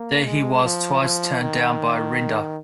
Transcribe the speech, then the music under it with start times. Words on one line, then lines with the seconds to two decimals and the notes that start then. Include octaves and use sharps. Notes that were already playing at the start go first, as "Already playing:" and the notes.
There he was twice turned down by Rinda.
Already playing: A#3
0.25 G#3
0.64 F3
1.01 F3
1.40 D#3